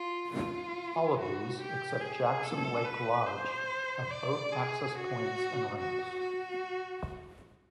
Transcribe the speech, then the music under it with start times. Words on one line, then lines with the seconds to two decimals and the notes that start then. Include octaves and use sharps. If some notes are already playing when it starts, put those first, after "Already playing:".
All of these except Jackson Lake Lodge have boat access points and ramps.
Already playing: F4
0.34 F4
1.18 F#4
1.60 G4
2.01 G#4
2.44 A4
2.85 B4
3.27 C5
4.11 D5
4.53 G#4
4.95 F#4
5.78 F#4
6.20 F#4